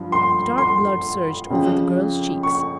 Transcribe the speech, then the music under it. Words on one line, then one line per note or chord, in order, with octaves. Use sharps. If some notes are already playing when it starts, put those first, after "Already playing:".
The dark blood surged over the girl's cheeks.
Already playing: G2 F3
C6
C6
F2 C#3 F3
C#6